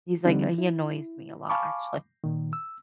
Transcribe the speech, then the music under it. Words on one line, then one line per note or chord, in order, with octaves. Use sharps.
He's like, uh he annoys me a lot, actually.
D3 F3 G3 C4 D4 D#4
E4
F5 G#5 A5 B5 C#6 D6
A#2 D#3
E6